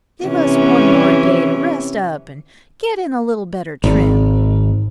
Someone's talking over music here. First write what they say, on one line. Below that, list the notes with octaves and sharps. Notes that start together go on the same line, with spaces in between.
Give us one more day to rest up and get in a little better trim.
C3 E3 C#4
G#1